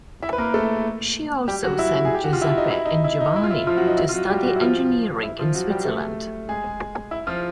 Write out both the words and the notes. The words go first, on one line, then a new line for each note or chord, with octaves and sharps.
She also sent Giuseppe and Giovanni to study Engineering in Switzerland.
E4 E5
B4
A#3 A#4
A3 A4
G3 G4
F#3 F#4
E4
G#4
G4
F#4
F4
E4
D#4
E4
D#4
E4
D#4
E4
F4
E4
F3 F4
F#3 F#4
D#4
E4
F4
F#3 F#4
G3 G4
F#3 F#4
E4
F3 F4
E4
F3 F4
F#3 F#4
G3 G4
A3 A4
G#3 G#4
E4
F3 F4